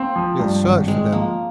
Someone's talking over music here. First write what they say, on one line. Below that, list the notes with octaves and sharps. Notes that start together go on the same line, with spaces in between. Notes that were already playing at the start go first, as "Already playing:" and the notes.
We'll search for them.
Already playing: A#3 C4 G#4
F3
G2
G#1
G#3 C4
F3 A#3